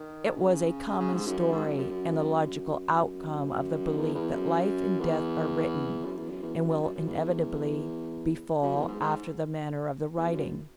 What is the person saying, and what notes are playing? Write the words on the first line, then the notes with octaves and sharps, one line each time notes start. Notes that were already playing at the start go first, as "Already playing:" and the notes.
It was a common story and the logical outcome of the belief that life and death are written and will inevitably befall after the manner of the writing.
Already playing: D#3
C#3
C#3
C#3
G#2
F#2
F#2
G#2
F#2
F#2
F#2
F#2
E2
E2
F#2
E2
F#2
E2
F#2
E2
F#2
F#2
F#2
F#2
E2
F#2
E2
G#2
G#2
E2
F#2